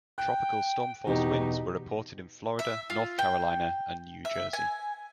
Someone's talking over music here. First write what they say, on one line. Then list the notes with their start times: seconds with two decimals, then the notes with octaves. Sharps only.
Tropical storm force winds were reported in Florida, North Carolina, and New Jersey.
0.18 G5 F#6
1.07 E2 B2 D#4 G4
2.59 E5
2.90 F4
3.19 G5
4.25 E5
4.53 G#5